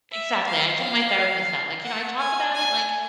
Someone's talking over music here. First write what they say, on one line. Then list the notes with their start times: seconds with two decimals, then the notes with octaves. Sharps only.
exactly, I told my therapist that, like, "You know, I talk about it like
0.11 E5
0.46 F5
0.80 F5
1.84 F#5
2.18 G#5
2.53 G#5